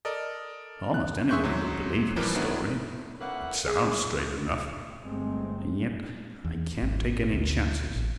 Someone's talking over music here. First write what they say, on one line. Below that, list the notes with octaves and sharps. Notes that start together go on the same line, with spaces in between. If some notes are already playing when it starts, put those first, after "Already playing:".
Almost any one would believe his story--it sounds straight enough--and yet I can't take any chances.
A4 A#4 D5 D#5
F#6
G#4 E5 C6 C#6 F#6 G6
G#2 F#3
E3 F3 G3 A#3 G4 B4
D#3 F#3 B3 D4 E4
A2 A#3 B4 E5 F#5
G#4
G1 G#3 A3 C4
E2
G#1
D2
A1